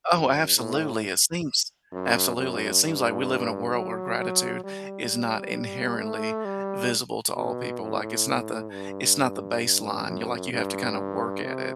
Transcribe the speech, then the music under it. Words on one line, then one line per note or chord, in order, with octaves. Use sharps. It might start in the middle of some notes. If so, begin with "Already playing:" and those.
Oh, absolutely. It seems absolutely, it seems like we live in a world where gratitude is not inherently visible to all people. Like, it's not the it's not the baseline. You like you have to kinda work it at,
F#2
A2
F#2
F#2
G2
F#3
F#3
G3
A3
G3
B2
A2
G2
F#2
G2
C3